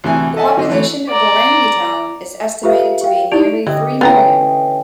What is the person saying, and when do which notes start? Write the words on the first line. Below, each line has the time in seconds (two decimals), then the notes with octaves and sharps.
The population of Orangi Town is estimated to be nearly three million.
0.04 D2 C3 E3 G#5
0.37 A4 D#5 E5 F#5 G#5 A5
0.57 D3 F#3 C4 D#5
0.70 E3 A3
1.10 D5 A#5
2.63 F4 G4 A4 B4 E5 F5
3.01 G4 A#4 F5 G5
3.32 D#4 E4 G4 D5 D7 F7
3.67 D3 E3 G4 D#5
4.01 B3 C#4 E4 G#4 B4 G5 A#5